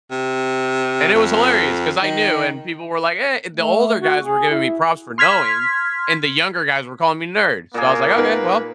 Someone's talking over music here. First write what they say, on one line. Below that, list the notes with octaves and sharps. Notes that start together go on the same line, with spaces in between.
and it was hilarious 'cause I knew and people were like, "Eh" The older guys were giving me props for knowing and the younger guys were calling me, "Nerd," so I was like, "Okay, well"
C3
F2
D#3
A3
F#4
G#4
E4
C6 F6 G#6 B6
A#2 A#3 G#4
B3 D#4 A#4 B4